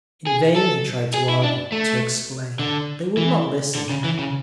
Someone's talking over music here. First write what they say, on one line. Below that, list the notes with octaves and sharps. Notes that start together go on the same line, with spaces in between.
In vain he tried to argue, to explain; they would not listen.
G#4
A4
G#4
E4
D4
A3
D3
E3
D3
C#3
E3
C#3